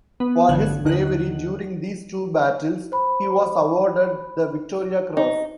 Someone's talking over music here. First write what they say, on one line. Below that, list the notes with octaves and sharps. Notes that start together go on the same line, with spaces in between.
For his bravery during these two battles, he was awarded the Victoria Cross.
B3
A1 G2 D3 F#6 G#6
D#2 D3 D#4 F#5 F#6
C5 B5
D#4